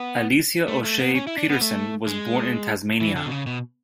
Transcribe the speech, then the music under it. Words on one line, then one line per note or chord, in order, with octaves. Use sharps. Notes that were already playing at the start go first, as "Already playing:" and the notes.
Alicia O'Shea Petersen was born in Tasmania.
Already playing: B3
A3
A3
B3
C#4
E4
D4
B3
A3
G#3
E3
D3
B2
C#3
B2